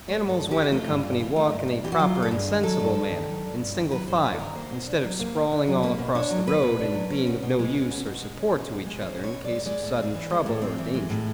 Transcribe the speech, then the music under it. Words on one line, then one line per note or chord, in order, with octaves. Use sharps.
Animals when in company walk in a proper and sensible manner, in single file, instead of sprawling all across the road and being of no use or support to each other in case of sudden trouble or danger.
A3 C#5
G2
A4
G2
G4
E3
A3 F4
G2
G2
E3
A3
G2
G2
E3 G4
F#4
F#3 F4
G2
A4
G2 G#4
D#3
F#3 A4
G2
G2
D#3
F#3
G2
G2
D#3
F#3 B4
G2 C5
G2 B4
A4
D#3 A#4
A#3 C5
B2
D4
F#3
A#3
B2
D4
F#3
A#3 B4
B2
D4 C#5
F#3
A#3 B4
B2
D4
F#3
C#4
B2
B2
G#3
C#4
B2
B2
G#3
C#4
B2
B2
G#3
C#4 C5
B2
C#5
B2
D5
G#3
G#3 D5
A2
C4
E3
G#3
A2
C4
E3
G#3
A2